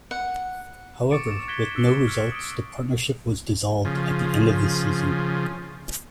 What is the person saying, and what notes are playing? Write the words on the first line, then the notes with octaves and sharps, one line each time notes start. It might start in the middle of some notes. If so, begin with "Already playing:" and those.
However, with no results, the partnership was dissolved at the end of the season.
F#5
C#6 D6 A6 C#7 D7
A6 E7
F#6 G#6 A#6 B6 D7 G7
E6 C7 C#7 G7
E6 F6 G7
D#6 F6 D7 G7
C#3 F3